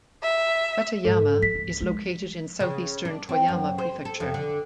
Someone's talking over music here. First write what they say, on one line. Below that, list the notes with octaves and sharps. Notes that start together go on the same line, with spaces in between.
Tateyama is located in southeastern Toyama Prefecture.
E5
G#2 A4
F3 B6
C#2
F3 G#3
C#3
D4
C4
F#2
C5
A4
F2
D3